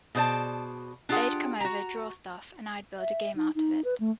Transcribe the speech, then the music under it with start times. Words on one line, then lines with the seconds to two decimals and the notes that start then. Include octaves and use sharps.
They'd come over, draw stuff, and I'd build a game out of it.
0.15 B2 G#4 C5 D5 A5
1.09 D4 F4 G4 G#4 F#5
1.60 F#4 A#5
2.99 E5
3.36 D#4
3.56 D#4
3.85 B4
4.00 A3